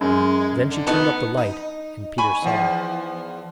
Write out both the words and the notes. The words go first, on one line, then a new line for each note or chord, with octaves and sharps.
Then she turned up the light, and Peter saw.
F#2 G#3
D3
B3 D#4 A5
D#4
G#5 B5 C#6
E2 F3